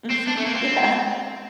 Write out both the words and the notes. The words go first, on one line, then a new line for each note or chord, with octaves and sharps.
Mhm. Yeah.
C4
D4
A3
A#3
C4